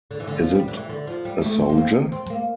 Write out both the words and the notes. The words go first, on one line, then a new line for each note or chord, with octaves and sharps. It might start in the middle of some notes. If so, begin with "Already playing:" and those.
Is it a soldier?
D3
E3
D3
F3
G3
D3
E3
D3
F3
G3
A3
C4
A#3
C4
C4
A#3